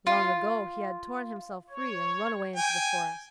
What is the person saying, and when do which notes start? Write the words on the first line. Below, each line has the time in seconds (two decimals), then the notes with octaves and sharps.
Long ago he had torn himself free and run away into the forest.
0.07 F4
1.70 C#5
2.56 G5 G#5